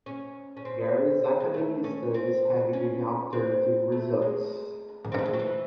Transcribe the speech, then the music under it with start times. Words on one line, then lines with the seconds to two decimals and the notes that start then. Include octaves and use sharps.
Various academic studies have given alternative results.
0.06 C#4
0.57 C#4
0.65 C4
1.40 G#3
1.54 A3
1.84 C#4
2.14 C4
2.73 C#4
3.33 C4
3.92 A3
4.22 G#3
5.12 C4
5.19 A3
5.26 G#3
5.33 F#3
5.39 E3